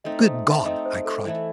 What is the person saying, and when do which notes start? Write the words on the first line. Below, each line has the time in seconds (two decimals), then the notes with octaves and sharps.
"Good God!" I cried.
0.04 A3 C4 D#4 D#5
0.20 C5
0.34 E5
0.50 E5
0.65 A3 C4 D#4 D#5
0.86 C5
1.05 A4
1.26 E3 A3 E4